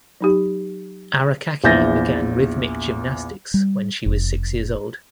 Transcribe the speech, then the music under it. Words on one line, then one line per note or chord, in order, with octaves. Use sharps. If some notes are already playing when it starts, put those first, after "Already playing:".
Arakaki began rhythmic gymnastics when she was six years old.
F#3 D#4 G4
A#1 E2 E5 G6 A6 A#6
G3
F1